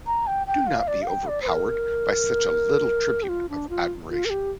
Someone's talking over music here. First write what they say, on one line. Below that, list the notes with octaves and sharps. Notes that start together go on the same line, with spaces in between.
Do not be overpowered by such a little tribute of admiration.
A#5
G5
G5
F5
D5
F5
G5
D5
C5
A#4
G4
F4
D4
F4
F4
A#4
G4